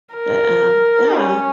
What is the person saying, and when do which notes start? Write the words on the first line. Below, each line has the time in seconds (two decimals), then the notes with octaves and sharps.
but, um, yeah,
0.14 A#4
1.17 C#4